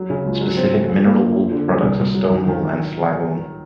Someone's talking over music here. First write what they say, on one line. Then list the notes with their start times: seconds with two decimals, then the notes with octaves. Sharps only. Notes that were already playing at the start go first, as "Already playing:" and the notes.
Specific mineral wool products are "stone wool" and "slag wool".
Already playing: F#3
0.10 C#3
0.25 C#2
0.41 F#3
0.57 C4
0.73 A3
0.89 F3
1.05 A#3
1.20 F3
1.36 F2
1.52 D3
1.68 G3
1.83 C2
2.00 C2
2.15 F#3
2.31 D#3
2.47 D#3
2.63 D#3